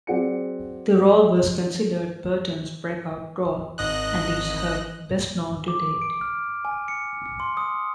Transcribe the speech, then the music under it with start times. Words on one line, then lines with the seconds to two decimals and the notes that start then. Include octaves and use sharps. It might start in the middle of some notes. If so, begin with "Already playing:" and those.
The role was considered Burton's breakout role and is her best-known to date.
0.07 F#3 C4 G#4 D5 F#5 C#7
3.78 G#1 D#5 F#6
5.68 D6
6.02 D7
6.21 F6
6.65 G#5
6.88 C#7
7.26 C#7
7.40 C6
7.57 D#6